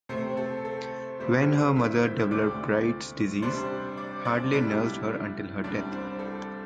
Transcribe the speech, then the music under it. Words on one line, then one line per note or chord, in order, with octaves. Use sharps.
When her mother developed Bright's Disease, Hadley nursed her until her death.
C3 A3 C4 C5
A4
A4
G2 D3 G3 C4 C5
E4 E5
G6
E6
D2 C3 A3 C4 D5 D6
C3 G3 D4 C5 C6
D5 D6
D4 D5
C2 C3 G3 D4 E4 E5
C2 C3 G3 D4 D5
C5
A4